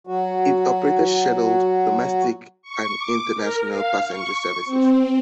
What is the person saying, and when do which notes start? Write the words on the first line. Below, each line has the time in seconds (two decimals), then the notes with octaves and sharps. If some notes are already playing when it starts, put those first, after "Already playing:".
It operated scheduled, domestic and international passenger services.
0.07 F#3 F#4
2.62 C#6
2.96 D6
3.36 A#4
3.69 F5
4.07 C#6
4.65 C4